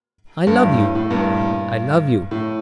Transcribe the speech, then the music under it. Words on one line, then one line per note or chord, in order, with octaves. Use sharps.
I love you!--I love you!
G2
A2
A2
A2
G2 A#2
A2